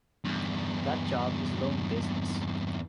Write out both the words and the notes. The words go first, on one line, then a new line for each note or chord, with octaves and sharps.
That job is loan business.
E2 G2